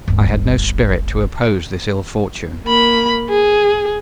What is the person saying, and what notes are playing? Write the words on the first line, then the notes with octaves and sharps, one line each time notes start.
I had no spirit to oppose this ill fortune.
D1 G1
A#3 B5
G#4